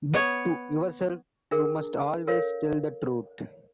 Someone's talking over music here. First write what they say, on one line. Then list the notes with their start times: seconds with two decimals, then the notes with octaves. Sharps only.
But to yourself you must always tell the truth.
0.13 B3 C#5
1.51 D4 G#4 A#4
2.27 A4 A#4 C#5 F5